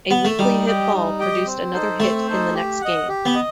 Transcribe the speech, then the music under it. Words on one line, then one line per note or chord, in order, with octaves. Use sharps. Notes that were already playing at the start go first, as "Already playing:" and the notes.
A weakly hit ball produced another hit in the next game.
B3
A3
G3 D#4
G4 D#5 G5
D#4
G4 D#5 G5
C4
D#4 A4 C5
A3 C4
D#4 A4 C5
G4
D#5 F#5
G4
B3
D#5